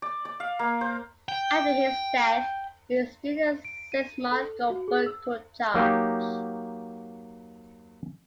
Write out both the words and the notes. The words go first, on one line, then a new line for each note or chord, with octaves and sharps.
After his death, his student Szymon Goldberg took charge.
D5
D5
F5
A#3
C5
G5
D7
D#7
A4
F#4
G#4
E6
F#3 A#3 D#4 G4